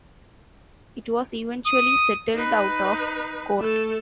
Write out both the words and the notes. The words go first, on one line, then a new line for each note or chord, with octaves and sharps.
It was eventually settled out of court.
D#6
D#4 B4
A3 A4